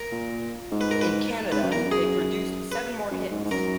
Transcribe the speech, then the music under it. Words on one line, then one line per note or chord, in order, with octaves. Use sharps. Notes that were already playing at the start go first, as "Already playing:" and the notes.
In Canada they produced seven more hits.
Already playing: A#4
A#2
G#2
B4
A#4
B4
G#2 B4
F#2
E2 A#4
F#2
G#4
B4
F#2
G#2
G#2
F#2 A#4